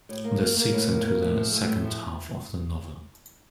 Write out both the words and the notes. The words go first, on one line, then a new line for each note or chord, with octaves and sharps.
This segues into the second half of the novel.
A2
A#3
A#3
A#3
A2
A#3
A#3
A2
F3
A3
A2
F3